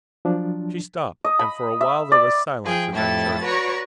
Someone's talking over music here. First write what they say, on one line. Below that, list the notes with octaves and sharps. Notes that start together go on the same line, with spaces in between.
She stopped, and for a while there was silence in that church.
F3 F#3 D4
D#5
B5
E5
D5
F3 G#4 G5
F2 A2 E4 G4 A4 A6
F#4 B4 C#5 D5 A#5 C#6